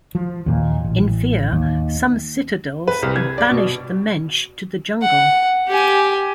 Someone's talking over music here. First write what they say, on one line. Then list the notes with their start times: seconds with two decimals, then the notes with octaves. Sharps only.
In fear, some citadels banished the mensch to the jungle.
0.15 F3
0.46 D#2 A#2
0.84 A1
1.52 D#2
2.88 B4
3.02 C2
3.16 G#6
3.38 D5
3.51 B2
5.02 F#5
5.69 G4 G#5